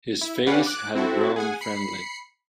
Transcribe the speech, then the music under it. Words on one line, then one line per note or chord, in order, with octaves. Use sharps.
His face had grown friendly.
E4
C#4 G4 B4 D5 F5 F#5
D6 F#6
C4 E4 F#4 A4
G#4 F#5 G#5
B5 C7 C#7